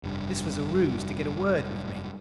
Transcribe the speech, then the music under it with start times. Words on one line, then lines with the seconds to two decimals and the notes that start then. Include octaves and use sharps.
This was a ruse to get a word with me.
0.03 F1 G2